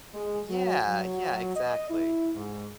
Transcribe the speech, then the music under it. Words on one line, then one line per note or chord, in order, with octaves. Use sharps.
Yeah yeah, exactly,
G#3
F#3
F#3
D#5
E4
G#2